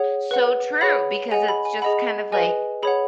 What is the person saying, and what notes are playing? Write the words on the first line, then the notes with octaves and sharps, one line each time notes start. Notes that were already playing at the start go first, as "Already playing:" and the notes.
so true because it's just kind of like,
Already playing: G#4 C#5 F#5
B4 F#5
G#4 C#5 F#5 B5
G#4 D#5 F#5 G#5
B5
G#5
G#4 D#5 F#5 B5
G#4 B4 D#5 G#5
G#4 C#5 F#5 B5